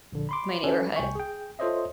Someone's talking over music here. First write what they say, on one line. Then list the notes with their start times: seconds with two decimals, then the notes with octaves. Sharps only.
my neighborhood,
0.12 A#1 D3
0.29 B5 C6 D6
0.64 C#4 F#4 A4 B4
0.96 C2 G5 G#5 C#6
1.15 G#4 G5
1.59 F4 A4 C5 C#5 D#5 E5